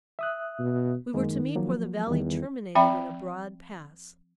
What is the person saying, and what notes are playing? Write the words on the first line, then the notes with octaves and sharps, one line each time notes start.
We were to meet where the valley terminated in a broad pass.
E5 D#6 F#6
B2
F#2 D#3 G#3 A#3
F3 F#3 A#3
E2 D#3 E3 G3
F3 C4 E5 G5 B5